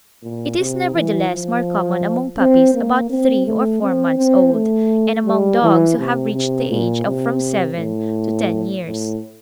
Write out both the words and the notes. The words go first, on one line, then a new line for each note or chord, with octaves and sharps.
It is, nevertheless, more common among puppies about three or four months old, and among dogs who have reached the age of from seven to ten years.
A#2
C3
E3
F3
C4
A#3
C4
A3
C4
C4
A3
G3
E3
C3
C3
A#2
C3
A2
A2